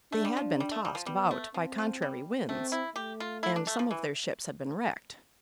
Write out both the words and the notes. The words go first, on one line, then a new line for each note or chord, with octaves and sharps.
They had been tossed about by contrary winds, and some of their ships had been wrecked.
A3 D4
G3
F3
G3
A3
G3
F3
G3 B3
A3
F3 C4
F3
G3
A3 C4
E4
A3 G4
F4
E4
D4
A3
F3
E3